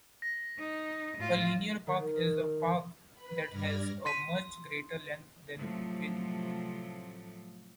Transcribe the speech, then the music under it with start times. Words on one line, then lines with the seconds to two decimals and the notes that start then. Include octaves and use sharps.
A linear park is a park that has a much greater length than width.
0.22 A#6
0.59 D#4
1.17 A2 F4
1.87 D#3
3.14 B4 B5
3.51 G2 D5 F6 G#6 A#6
4.05 C6 B6 D#7
5.56 A2 C3 F3 F#3 A3